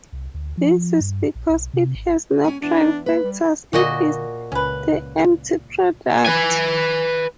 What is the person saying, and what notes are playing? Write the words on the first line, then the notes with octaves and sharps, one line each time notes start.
This is because it has no prime factors; it is the empty product.
C2
D2
F3
G2
A#1
B1
C3
G#1
C#4 G#5
E2 D4
A#3 B4
G3
A#2 D3 F#4 D#5
C#2 C#4 B4
B4 G#5